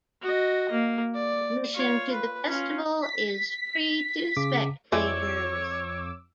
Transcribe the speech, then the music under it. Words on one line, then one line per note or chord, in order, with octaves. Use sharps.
Admission to the festival is free to spectators.
F#4 D#5
A#3
D5
F4 C#5
B4
C#4 F4
B6
C#3 D6
F2 E3 G3 G#3 C#5 D6 E6